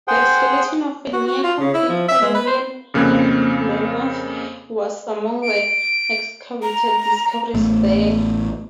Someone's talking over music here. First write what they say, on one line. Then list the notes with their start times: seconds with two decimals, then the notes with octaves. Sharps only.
The skeleton of a near-complete Columbian mammoth was among the excavated discoveries there.
0.08 G#4 C5 F#5 G5
1.13 F#4
1.27 F#4
1.43 F4
1.60 C#3
1.74 E4
1.89 F3
2.08 E5
2.22 G#3
2.34 B4
2.47 C5
2.94 F2 C#3 A#3 C4 F#6 G#6
5.42 D7
6.63 A#5
7.54 A1 A3 B3